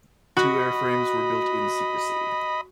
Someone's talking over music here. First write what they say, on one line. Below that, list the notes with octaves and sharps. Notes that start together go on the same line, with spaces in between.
Two airframes were built in secrecy.
F#4 D#5 B5